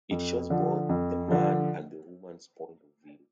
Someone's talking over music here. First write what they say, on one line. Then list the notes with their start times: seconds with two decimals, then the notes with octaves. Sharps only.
It shows both the man and the woman's point of view.
0.11 F2
0.50 D3 F3
0.89 F2
1.28 D3 F3